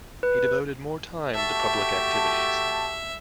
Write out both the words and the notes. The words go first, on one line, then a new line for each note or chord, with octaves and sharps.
He devoted more time to public activities.
B4
A3 F#4 G4 E5 A5